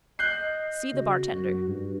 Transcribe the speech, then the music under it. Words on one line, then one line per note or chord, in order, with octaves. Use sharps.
See the bartender.
D#5 F#6 G6 C7
C#3 F#4
F#2
G2